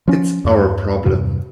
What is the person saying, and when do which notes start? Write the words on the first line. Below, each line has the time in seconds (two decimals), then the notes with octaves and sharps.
It's our problem.
0.08 F3 C#4
0.45 E2 G2
1.06 E2 G2 C3